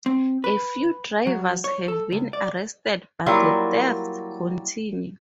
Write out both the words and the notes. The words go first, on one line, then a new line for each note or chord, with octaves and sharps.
A few drivers have been arrested but the thefts continue.
C4
B4
F#3
C#5
A4
C#2
D5
F#3 G3 A#3 E4 F4